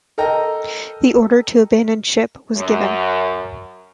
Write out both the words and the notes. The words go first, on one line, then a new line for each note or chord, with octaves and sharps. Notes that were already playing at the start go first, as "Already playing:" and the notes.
The order to abandon ship was given.
A4 A#4 D#5 G5 A#5
F#2